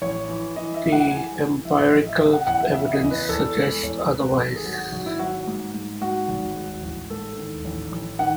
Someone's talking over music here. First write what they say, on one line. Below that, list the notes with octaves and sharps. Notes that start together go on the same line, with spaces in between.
The empirical evidence suggests otherwise.
A1 C#5
E3
E3 D#5
E5
E3
F#5
E3 G#5
E3
A1 E5
C#5
A1 D#5
E5
C#3
F#5
E2 F#5
E5
C#3 E5
D#5
E2
B4
E2 A4
G#3
E2 C#5
E2 B4
G#1 A4
G#4
F#3
F#4
G#1 F#4
E4
F#3 F#4
G#2
G#2
G#2 F#4
G#1
G#3
A1
G#2 A4
D#3
A1
A1
D#3 F#5